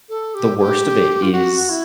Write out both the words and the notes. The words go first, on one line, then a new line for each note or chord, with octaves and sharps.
the worst of it is
A4
G4
G#4
G4
F4
F#4
E4